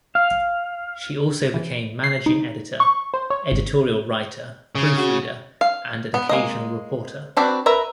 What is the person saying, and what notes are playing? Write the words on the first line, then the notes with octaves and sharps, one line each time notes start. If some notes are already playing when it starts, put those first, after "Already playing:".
She also became managing editor, editorial writer, proof reader and an occasional reporter.
F5
E3
C7
D#4
C#6
C5
C#5
G#1
C#3
F#4
F5
B3
G#3 A#3 D#5
C4 D4 F#4 B4 D5
A#4 B4 E5 A#5